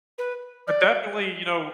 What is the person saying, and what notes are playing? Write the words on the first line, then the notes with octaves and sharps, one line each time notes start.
but, definitely, you know,
B4
D5